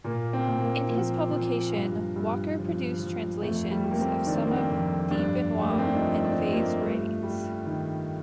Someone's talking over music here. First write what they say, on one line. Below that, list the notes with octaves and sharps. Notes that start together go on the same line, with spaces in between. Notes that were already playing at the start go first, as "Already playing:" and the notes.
In his publication, Walker produced translations of some of De Benoit and Faye's writings.
A#2 A#3
C4
A#2
A#3
F3 A#3
F3
G2
G2
F3
F3
F2 A3
G3
G3
A#3
C4
D#3 D4
C4
A#3
C4
F2
G2 D4
G2
A3
A#3
C4
D4
F3 D#4
D4
F3
A#3
G2 A3
G3
D#3